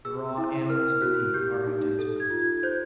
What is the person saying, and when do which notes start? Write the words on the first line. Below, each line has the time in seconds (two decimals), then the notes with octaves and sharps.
The raw animals beneath are identical.
0.05 G#4 E6
0.37 E4
0.70 A#4 F6
1.02 F#4 F#6
1.34 G4 G6
1.66 D#4
1.99 A4
2.20 G#6
2.30 F4
2.42 G#6
2.63 C5 G6